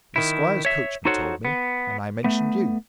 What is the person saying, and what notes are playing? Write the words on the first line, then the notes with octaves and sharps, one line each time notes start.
The squire's coachman told me, and I mentioned you.
D#3 E4
C#5 E5
D#4 F#4 A4 C5 C#5 F#5
B3
A3 B3